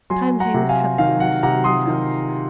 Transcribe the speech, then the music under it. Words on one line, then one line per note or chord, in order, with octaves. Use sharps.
Time hangs heavily in this gloomy house.
F#3 G#5 C6
F#5 A#5
C3
F5 G#5
D#3 F5
F#5
C3 F#5 A#5
C6 D#6
D#3